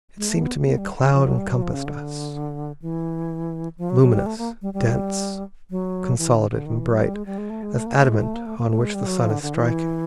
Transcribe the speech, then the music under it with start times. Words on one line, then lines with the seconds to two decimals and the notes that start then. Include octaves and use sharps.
It seemed to me a cloud encompassed us, Luminous, dense, consolidate and bright As adamant on which the sun is striking.
0.18 G#3
0.30 A3
0.42 B3
0.65 B3
0.78 G3
1.01 C#3
1.13 F3
1.26 F#3
1.38 G3
1.50 F#3
1.62 F3
1.74 C#3
1.86 D3
2.82 E3
3.78 F3
3.90 F#3
4.02 F#3
4.14 G3
4.26 A3
4.38 A#3
4.62 G3
4.74 G3
5.70 F#3
6.18 E3
6.34 D3
6.51 D3
6.66 D#3
6.79 E3
6.90 F#3
7.02 G3
7.14 G#3
7.26 G3
7.38 G#3
7.50 A3
7.63 G#3
7.75 A3
7.86 A#3
7.98 A3
8.10 G#3
8.22 A3
8.34 A#3
8.46 A3
8.58 A#3
8.70 A3
8.82 G#3
8.95 G3
9.07 F#3
9.19 F3
9.30 D3
9.42 D3
9.55 E3